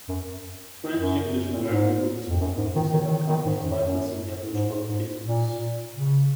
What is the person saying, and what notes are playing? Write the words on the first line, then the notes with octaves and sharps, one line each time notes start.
French, English, and American businessmen quickly set up companies licensing Yablochkov's patents.
F#2
F#2
G#2
F2
F#2
G#2
D#3
D#3
D#3
D#3
G#2
F#2
F#2
G#2
G#2
A#2
C#3